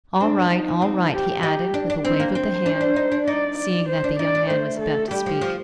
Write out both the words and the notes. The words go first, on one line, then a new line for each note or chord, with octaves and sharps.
"All right, all right!" he added, with a wave of the hand, seeing that the young man was about to speak.
C4 D4
D#4
C4
G4
D#4 G4
D4
D4
C4 C5
A#3
C4 C5
D4
D4
D#4
D4
D#4 D5
D5
C5
D4
D#4 D5
D4
A3 C5
A4
G3 G4
F3
F3